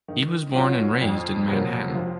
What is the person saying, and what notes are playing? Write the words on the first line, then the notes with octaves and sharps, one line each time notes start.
He was born and raised in Manhattan.
D#3
F#3 C#4 F4
F2
C3 F#3 A#3
F3